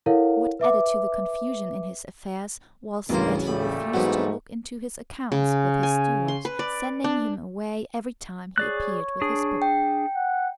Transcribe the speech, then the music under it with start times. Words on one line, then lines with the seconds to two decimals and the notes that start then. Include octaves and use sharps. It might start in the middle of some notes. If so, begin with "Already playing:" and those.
What added to the confusion in his affairs was that he refused to look into his accounts with his steward, sending him away every time he appeared with his book.
0.06 E4 A4 A#4 C#5 F5 F#5
0.59 B4 E5 D6
3.09 A1 D2 G2 C#3 A#3 A#4 C5
3.46 A1 A#2 G3 A3 B5
3.93 G#2 E3 F#3 B3 F#4
5.32 C#3
5.83 G#5
6.28 C6
6.45 B4
6.59 D5
7.04 D4
8.58 G#4 C#5 D5 F#6
9.21 D4 G#4
9.62 G5
10.15 F#5